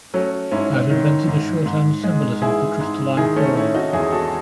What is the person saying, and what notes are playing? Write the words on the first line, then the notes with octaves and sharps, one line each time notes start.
I had invented a shorthand symbolism for crystalline forms.
F#3 A3 C#4
G#2 C#4 E4
D#3
G#2
G#2
G#3
E3 E4 G#4
G#2
D#3 E4 G#4
A3 C#4
A3 C#4 E4
D#4 F#4
E2 E4 G#4
F#4 A4